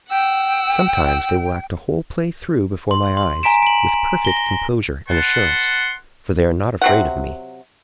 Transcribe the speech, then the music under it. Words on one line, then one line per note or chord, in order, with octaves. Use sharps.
Sometimes they will act a whole play through before my eyes, with perfect composure and assurance, for they are not afraid of me.
F#5 G5 E6
C6
C6
G#5 A#5 B6 D7 E7
D7 F#7
A#6 G7
B4 F#5 A5 C6
C3 F#3 F#5